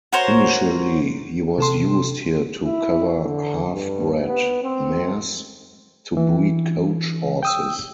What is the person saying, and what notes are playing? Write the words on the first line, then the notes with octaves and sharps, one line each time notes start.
Initially he was used here to cover "half-bred" mares to breed coach horses.
F#4 A#4 C5 C#5
C3 A4 C6
E4
D3
G2
B3
C4
E3
G5 D#6 E6